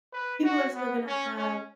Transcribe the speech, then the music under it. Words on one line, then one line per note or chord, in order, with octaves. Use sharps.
people are still gonna have
B4
F#4
B3
C#4
C#4